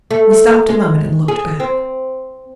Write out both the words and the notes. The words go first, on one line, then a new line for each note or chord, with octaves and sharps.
We stopped a moment and looked back.
A3
G#3
G#4
C4